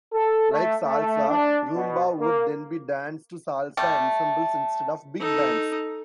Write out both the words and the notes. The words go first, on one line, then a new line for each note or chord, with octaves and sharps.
Like salsa, rhumba would then be danced to salsa ensembles instead of big bands.
A4
A3
A3
D4
B2
A#3
G3 A3
D#4 A4